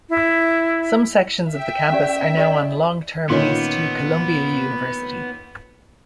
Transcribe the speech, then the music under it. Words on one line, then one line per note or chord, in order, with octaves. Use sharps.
Some sections of the campus are now on long-term lease to Columbia University.
E4
E5 G5
C#4 G4 D5
G4 D5 D#5
A#2 D#3 B3 C#4